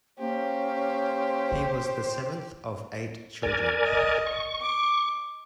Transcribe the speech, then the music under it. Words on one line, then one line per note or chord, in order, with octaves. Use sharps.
He was the seventh of eight children.
A#3 C#4 G4 C5
A#4 D5 G#5
D#5
C#6
D6